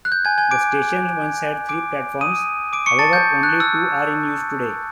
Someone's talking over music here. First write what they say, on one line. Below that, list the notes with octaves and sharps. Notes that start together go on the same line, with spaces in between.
The station once had three platforms, however only two are in use today.
F#6
G6
G#5 G#6
G#5 G#6
D6 D7
D6 D7
D#6 D#7
D6 D7
C#6 C#7
A5 A6
G6
F#6
E6